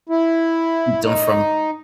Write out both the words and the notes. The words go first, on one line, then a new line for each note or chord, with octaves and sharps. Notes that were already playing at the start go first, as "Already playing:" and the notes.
done from
E4
D#4